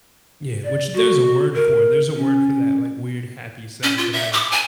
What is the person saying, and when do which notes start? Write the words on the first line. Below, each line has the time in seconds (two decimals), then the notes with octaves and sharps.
Yeah, which there's a word for there's a word for that, like, weird, happy, sad that I,
0.64 D5
0.95 F#4
1.55 A#4
2.16 C#4
3.83 C#4
3.98 F4
4.13 E5
4.33 D6
4.52 G#5